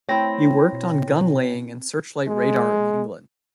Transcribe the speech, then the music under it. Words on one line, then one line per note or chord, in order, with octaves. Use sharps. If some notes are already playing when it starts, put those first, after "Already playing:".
He worked on Gun Laying and Searchlight Radar in England.
A3 C4 E4 C5 C#5 G5 A#6
B2
G#3